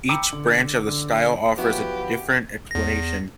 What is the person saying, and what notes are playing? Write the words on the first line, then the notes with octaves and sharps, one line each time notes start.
Each branch of the style offers a different explanation.
G5 A#5 B5 D6 E6 C#7
D3 F#7
D3
F3 F#3 B3 E4 F#4 G4 B4
E2 A#6